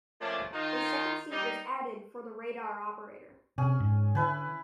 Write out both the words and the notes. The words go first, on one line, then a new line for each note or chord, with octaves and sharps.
A second seat was added for the radar operator.
A#2 F3 A3 C#4 D4
D#3 D#4 F4
G3 D#4
C3 C#4 G#4 G#5
G#2
D3 E4 B4 G#5